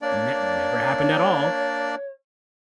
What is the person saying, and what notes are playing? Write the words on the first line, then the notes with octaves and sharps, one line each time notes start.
ne never happened at all,
A#3 D4 C#5 D5